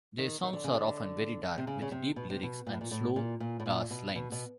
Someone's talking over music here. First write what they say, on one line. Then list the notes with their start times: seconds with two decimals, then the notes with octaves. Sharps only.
Their songs are often very dark, with deep lyrics and slow bass lines.
0.18 D#3
0.43 D#3
0.53 D3
0.64 C#3
0.75 D3
1.58 C3
1.67 C#3
1.82 C#3
1.92 C3
2.16 B2
2.30 C3
2.43 B2
2.67 A#2
2.73 A2
2.81 A#2
2.91 A2
3.16 A#2
3.40 A#2
3.60 A2
3.66 A#2
3.90 B2
4.16 B2
4.32 B2